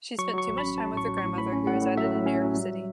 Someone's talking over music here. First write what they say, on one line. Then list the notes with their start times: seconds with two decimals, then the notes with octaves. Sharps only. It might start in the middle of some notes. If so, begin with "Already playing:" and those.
She spent much time with her grandmother, who resided in New York City.
0.18 F#3 C#6
0.33 F#3 C#6
0.49 A1
0.58 B5
0.63 C#4
0.78 F#3 A5
0.93 A2 C#6
1.07 F#3
1.18 C#6
1.23 A2
1.38 A2 B5
1.52 C#4
1.67 A2 F#5
1.82 A2
1.97 F#3 E5
2.11 A2
2.26 C#4
2.41 F#3
2.56 G3